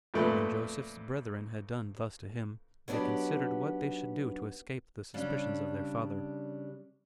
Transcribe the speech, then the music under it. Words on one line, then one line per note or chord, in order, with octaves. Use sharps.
When Joseph's brethren had done thus to him, they considered what they should do to escape the suspicions of their father.
F2 A#2 A3 B4
F#3 B3 D4 D#4 G4
C#3 G3 D4